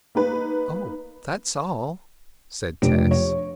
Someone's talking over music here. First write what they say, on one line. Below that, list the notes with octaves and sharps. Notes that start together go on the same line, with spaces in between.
"Oh--that's all!" said Tess.
A#3 D#4 B4
F1 D4 G4 D7
C#5